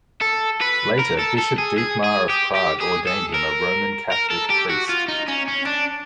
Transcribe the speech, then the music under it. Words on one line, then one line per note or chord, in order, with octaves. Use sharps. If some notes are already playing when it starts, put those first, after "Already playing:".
Later Bishop Dietmar of Prague ordained him a Roman Catholic priest.
A4
B4
A#4
A4
A4
G#4
G#4
G#4
G4
G4
G#4
A4
A#4
A#4
A4
G4
F#4
F4
D#4
C#4
C#4
D4